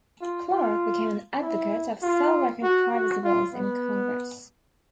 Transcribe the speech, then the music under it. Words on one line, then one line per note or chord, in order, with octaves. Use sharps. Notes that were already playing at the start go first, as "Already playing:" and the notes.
Clark became an advocate of cell record privacy bills in Congress.
F4
F4
E4
F4
F#4
F#4
F4
B3